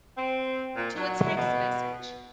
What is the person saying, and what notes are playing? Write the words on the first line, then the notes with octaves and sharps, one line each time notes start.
to a text message."
C4
A#2
F#3
B2